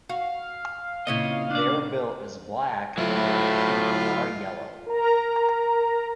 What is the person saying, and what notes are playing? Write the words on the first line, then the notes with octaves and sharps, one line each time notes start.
Their bill is black and their feet are yellow.
F#4 F5
A#2 C#3 C4 E4 C#5 D#5
D4 D5
A2 F#3 E4 F4
A#4 A#5